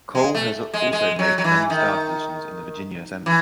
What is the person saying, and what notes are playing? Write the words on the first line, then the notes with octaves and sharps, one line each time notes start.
Cole has also had many staff positions in the Virginia Assembly.
G#3
A3
G#3
G#3
F#3
F#3
E3
D#3
E3